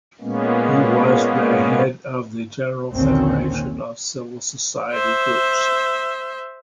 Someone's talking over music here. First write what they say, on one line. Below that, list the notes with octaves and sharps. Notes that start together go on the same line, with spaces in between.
He was the head of the General Federation of Civil Society Groups.
A#2 G#3 A#3 B3 C#4
A#1 D#2 D3 D#3 C4 C#4
C5 E5